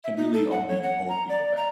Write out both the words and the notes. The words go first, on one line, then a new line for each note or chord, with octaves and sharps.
can really only hold people back.
E5
D#4
A4
F#5
C#5
F#5
A#5
D5
A#5